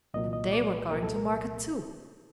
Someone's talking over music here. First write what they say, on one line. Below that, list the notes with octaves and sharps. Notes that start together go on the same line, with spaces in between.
And they were going to market too.
C2 A#2 F#3 D#5
D#5
D5
B4
C2 A#2 F#3 A#4
A4
A#4